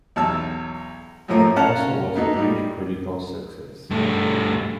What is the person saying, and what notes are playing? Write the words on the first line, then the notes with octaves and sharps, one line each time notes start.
It also was a huge critical success.
B1 E2 A5 E6
F#2 A2 F3 A3 A#3
C#4 A#4 F5 F#5 A5
A#3 B3 D#4 F#4 A4
G3 D#4
G2 A3